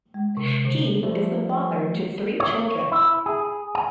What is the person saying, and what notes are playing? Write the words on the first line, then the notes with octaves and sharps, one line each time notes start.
He is the father to three children.
G#3
C3
D3
F3 G3 A3
C#5
E4
G#4
G#5